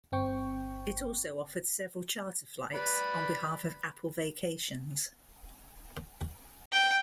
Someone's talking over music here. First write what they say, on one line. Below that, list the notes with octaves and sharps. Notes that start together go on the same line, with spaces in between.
It also offered several charter flights, on behalf of Apple Vacations.
G1 C4 G5 C#6
B4 D5 B5
G5